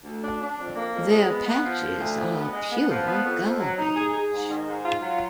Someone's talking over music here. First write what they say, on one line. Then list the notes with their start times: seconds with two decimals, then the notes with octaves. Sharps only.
Their patches are pure garbage.
0.04 D2
0.22 D4
0.40 D4
0.57 F2
0.75 A#3
0.93 F2
1.10 G#3
1.28 B3
1.46 B3
1.64 F3
1.82 D3
2.00 D2
2.17 F3
2.36 B3
2.53 G#3
2.71 B3
2.90 F3
3.07 B3
3.24 F2
3.42 F2
3.60 F#3
3.78 D#4
3.95 G#4
4.14 G#4
4.31 G#2
4.49 D#3
4.67 G#2
4.84 F4
5.02 F#3